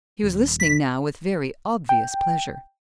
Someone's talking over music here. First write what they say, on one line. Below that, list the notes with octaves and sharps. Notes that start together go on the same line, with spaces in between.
He was listening now with very obvious pleasure.
D#1
B6
G5